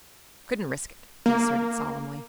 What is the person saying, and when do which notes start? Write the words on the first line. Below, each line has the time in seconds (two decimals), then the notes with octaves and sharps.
"Couldn't risk it," he asserted solemnly.
1.26 A#3